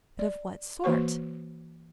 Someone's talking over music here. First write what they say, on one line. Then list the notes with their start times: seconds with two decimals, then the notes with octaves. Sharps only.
"But of what sort?"
0.19 D5
0.84 E3 A#3 F#4 C5 C#5 C#6